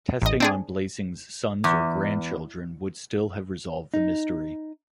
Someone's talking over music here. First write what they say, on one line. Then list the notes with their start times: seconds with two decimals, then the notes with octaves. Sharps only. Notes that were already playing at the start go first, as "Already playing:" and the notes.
Testing on Blaesing's sons or grandchildren would still have resolved the mystery.
0.22 A1 D#5
0.40 C4 D4 G#4
1.64 E2
3.94 D#4